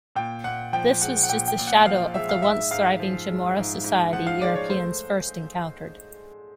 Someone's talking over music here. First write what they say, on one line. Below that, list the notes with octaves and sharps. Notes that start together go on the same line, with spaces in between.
This was just a shadow of the once-thriving Chamorro society Europeans first encountered.
A#2 G5
A#2 F#5
F3 G5
G#3 F#5
F#5
A#2 G5
G5
A#2
F#5
F3 F5
G#3 E5
F5
G#2 E5
G#2 F5
F3
G#3
G#2
G#2
F3 F#5
F5
G#3 D5
C#5
A3 C5